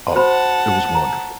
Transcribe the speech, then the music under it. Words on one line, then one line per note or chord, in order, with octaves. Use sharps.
Oh, it was wonderful,
F#4 C5 F#5 A5 B5
A#5